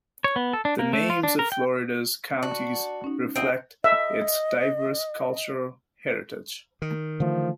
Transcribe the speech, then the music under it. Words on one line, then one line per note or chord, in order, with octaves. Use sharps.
The names of Florida's counties reflect its diverse cultural heritage.
C#5
B3
A4
D4
A#3
A3
F4
D4
A#4
G5
D4 F#4
C#4 D#4
D2 C4 D#5
D#5 E5
D#3
D3 E3 F3 A3